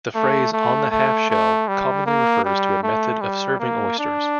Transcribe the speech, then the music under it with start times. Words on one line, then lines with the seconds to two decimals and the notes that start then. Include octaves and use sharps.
The phrase "on the half-shell" commonly refers to a method of serving oysters.
0.15 A3
0.53 A3
0.91 A3
1.30 A3
1.68 G3
2.06 A#3
2.45 G3
2.83 A3
3.21 G3
3.60 A#3
3.99 D4